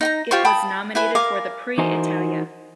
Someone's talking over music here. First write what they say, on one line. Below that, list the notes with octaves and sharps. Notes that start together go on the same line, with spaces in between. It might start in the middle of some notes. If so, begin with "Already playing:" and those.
It was nominated for the Prix Italia.
D#4 G5 A#5
F4 G4 C5 C#6
G5 A5 B5 D#6
E4 B4 G#5
A#4 F5 G#5 D6
E3 D#4 F#4 A#4 C5 G#5